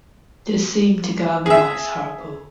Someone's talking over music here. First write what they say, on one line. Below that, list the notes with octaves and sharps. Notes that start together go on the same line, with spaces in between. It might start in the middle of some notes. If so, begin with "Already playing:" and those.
This seemed to galvanise Hartlepool.
G#4 E5